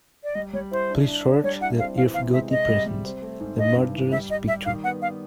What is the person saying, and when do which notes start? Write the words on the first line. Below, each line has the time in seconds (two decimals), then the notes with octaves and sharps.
Please search the Irv Gotti Presents: The Murderers picture.
0.24 D5
0.35 G3 D#5
0.53 G3 C#5
0.71 E4 C5
0.90 D4
1.08 D4
1.25 D4
1.43 G3 C#5
1.61 E4 F#5
1.79 C4 F5
1.97 E3 F5
2.14 C3 F5
2.33 G#3 E5
2.51 C3 D#5
2.68 G3
2.87 G3
3.05 C4
3.22 A3
3.40 G#2
3.58 G2 D#5
3.76 G2
3.94 E3
4.11 G3 E5
4.30 G4 D#5
4.48 G3 E5
4.65 D#3 F5
4.84 B3 F#5
5.02 B3 F5